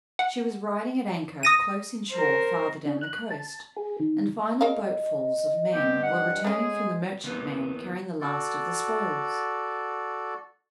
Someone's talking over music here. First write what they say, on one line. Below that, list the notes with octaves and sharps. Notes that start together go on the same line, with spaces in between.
She was riding at anchor close inshore farther down the coast, and final boatfuls of men were returning from the merchantman carrying the last of the spoils.
F#5
D#6 A#6 D#7
A#4 C5
D4
F#6
A5
G#4
D#3
G#4 A#4 D#5 F5
G2 B3 C4 G4
F#5
G#3 A3 C#4 G#4
D#2 B3
F#4 A4 D5